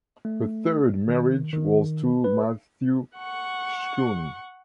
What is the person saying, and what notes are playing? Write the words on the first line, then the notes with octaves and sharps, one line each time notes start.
Her third marriage was to Matthew Schoen.
A3
D#3
D#3
B4
F#5 C#6